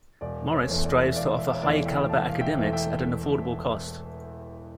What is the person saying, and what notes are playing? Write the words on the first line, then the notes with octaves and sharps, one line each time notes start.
Morris strives to offer high-caliber academics at an affordable cost.
E1 D5
C#5
E2 E3 A3
D5
E5
E1 D5 F5
E5
F5
C#5 E5
E2 E3 A3 D5 F5
E5 G5
E1 F5 A5
F5
E5 G5
E2 E3 A3
E5 G5